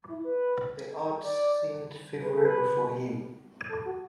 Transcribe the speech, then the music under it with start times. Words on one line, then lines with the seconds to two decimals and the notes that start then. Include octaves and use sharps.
The odds seemed favourable for him.
0.09 E4
0.24 B4
1.22 D5
2.21 B4
2.34 A4
2.45 B4
3.69 A4
3.85 F#4